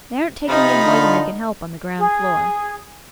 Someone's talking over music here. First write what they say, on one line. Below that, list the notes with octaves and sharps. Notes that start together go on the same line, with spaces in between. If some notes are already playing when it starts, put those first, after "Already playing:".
They aren't taking in more than they can help on the ground-floor.'
C3 F3 D#4 F4 B5
D3
G#4